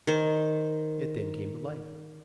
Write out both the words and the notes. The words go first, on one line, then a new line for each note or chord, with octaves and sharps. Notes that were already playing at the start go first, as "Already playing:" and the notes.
It then came to life.
D#3 C5